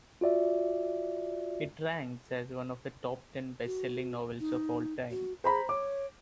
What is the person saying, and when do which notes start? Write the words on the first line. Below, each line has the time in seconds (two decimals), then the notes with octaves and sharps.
It ranks as one of the top-ten bestselling novels of all-time.
0.21 F4 F#4 D5 E5
3.66 F#4
4.40 D#4
5.10 F#4
5.44 G#4 C5 A#5 B5
5.69 C#5 D6